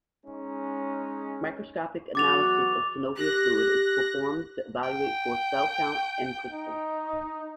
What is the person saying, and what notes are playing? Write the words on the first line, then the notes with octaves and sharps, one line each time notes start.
Microscopic analysis of synovial fluid is performed to evaluate for cell count and crystals.
G#3 C#4 D#4
E2 F#3 F#4 D6 A6 F7
G4 F#6 A#6
G5
D#4